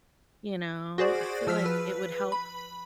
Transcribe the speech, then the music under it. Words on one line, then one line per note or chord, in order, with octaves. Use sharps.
you know, I feel like it would help
F#4 G#4 C5 D5
F3 E6 F6 B6
B4
B5